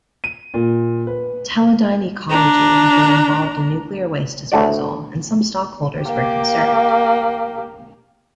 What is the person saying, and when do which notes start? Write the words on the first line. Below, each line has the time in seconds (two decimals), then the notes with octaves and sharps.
Teledyne Ecology had been involved in nuclear waste disposal, and some stockholders were concerned.
0.24 D#7
0.54 A#2
1.07 B4
2.29 D4 A#5
4.52 D2 A2 A3 F#4 D5
6.04 A#3 G4